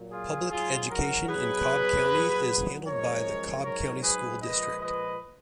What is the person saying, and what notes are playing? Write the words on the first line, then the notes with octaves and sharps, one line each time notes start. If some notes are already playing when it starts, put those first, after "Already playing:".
Public education in Cobb County is handled by the Cobb County School District.
Already playing: A#2 F#3
F4 G#4
G#2 F#3 F4 G#4
F#4 A#4
B2 F#3 G#4 B4
A#2 F#3
F#2 F3 G#3 A#4 C#5
G#2 F#3 A#4 C#5
G#4 B4
A#2 F3 G#3 B4 D#5
B4 D#5